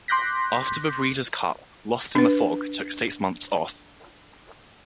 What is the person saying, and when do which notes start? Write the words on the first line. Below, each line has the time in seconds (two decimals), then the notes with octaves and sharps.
After the Breeders' Cup, Lost in the Fog took six months off.
0.08 C6 D6 F#6 G6 A#6 B6
2.15 D4 B4